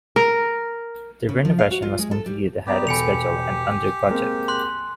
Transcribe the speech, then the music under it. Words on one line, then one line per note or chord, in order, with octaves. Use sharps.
The renovation was completed ahead of schedule and under budget.
A#4
C#3
F3
F5
F#4
F4
G#3
A4
G3
B3 G4 D5 A#5
E1 A4 G#5 B5 C#7 F7
G#3 A#3 C4
C6 F#6